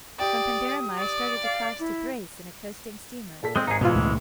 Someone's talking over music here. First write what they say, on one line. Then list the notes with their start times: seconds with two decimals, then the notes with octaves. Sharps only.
From Panderma I started to cross to Thrace in a coasting steamer.
0.19 G4 D5 G5 D#6
0.98 D5
1.43 F5
1.79 E4
3.43 A#2 A4 B6
3.56 G#3 C4
3.67 G#1 D#4 G#4 C#7
3.81 G#2 B2 E3 G#3 F4
3.95 C#2 A#2 A3